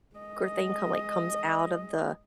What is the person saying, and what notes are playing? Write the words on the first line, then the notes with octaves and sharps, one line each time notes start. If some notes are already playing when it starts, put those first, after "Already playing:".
thing come, like, comes out of the
G#3 D#5